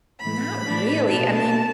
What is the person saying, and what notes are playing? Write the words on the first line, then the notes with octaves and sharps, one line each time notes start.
Not really, I mean
A2 E3 A3 B5
A2 E3 A3 D4
B2 B3 D4 A5